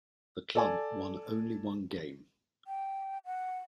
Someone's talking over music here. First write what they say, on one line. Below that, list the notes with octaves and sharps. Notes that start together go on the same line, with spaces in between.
The club won only one game.
A4 D5 G#5
G5
F#5